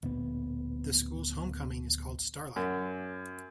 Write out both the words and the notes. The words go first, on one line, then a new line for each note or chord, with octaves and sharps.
The school's Homecoming is called Starlight.
D1 A#1 B3
F#2